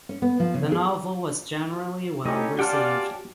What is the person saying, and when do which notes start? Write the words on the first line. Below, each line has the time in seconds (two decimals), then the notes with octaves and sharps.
The novel was generally well received.
0.09 C#4
0.22 B3
0.40 F3
0.54 C#3
0.72 G#4
1.72 F#4
2.25 A3 C#4 D#4 E4 G4 D#5
2.59 C#4 F4 G4 D5 F#5 G5 A5 F6